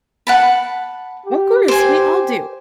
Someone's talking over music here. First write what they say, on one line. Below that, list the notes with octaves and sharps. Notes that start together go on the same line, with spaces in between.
O of course, we all do.
F#5 A5 B5
G4
C5 G#5